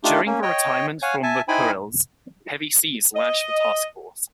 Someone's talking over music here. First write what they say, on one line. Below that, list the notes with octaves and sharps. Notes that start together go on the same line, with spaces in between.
During the retirement from the Kurils, heavy seas lashed the task force.
A3 D4 D#4 F4 G4
A#3 C#4
C#5 D#5 G5
C#5 F5 F#5 G#5
E5 G#5 A5
D#4 E4 C5 G5 G#5 B5
D#5